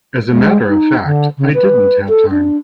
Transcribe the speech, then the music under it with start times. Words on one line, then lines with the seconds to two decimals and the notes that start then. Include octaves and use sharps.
As a matter of fact I didn't have time.
0.31 G#3
0.68 D#4
1.05 D3
1.38 C#3
1.54 B4
2.09 A4
2.31 D4